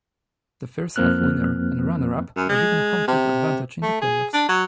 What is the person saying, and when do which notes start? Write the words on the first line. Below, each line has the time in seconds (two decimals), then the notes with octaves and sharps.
The first half winner and runner-up are given home-field advantage in the playoffs.
0.96 F2 F3 A#3 C4 F6 F#6
2.36 F#2
2.49 G#3
3.08 C3
3.83 A3
4.01 G#4
4.34 D4
4.49 F#3